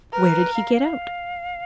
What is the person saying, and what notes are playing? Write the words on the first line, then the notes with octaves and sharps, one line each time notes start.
Where did he get out?
A#4 B4
F5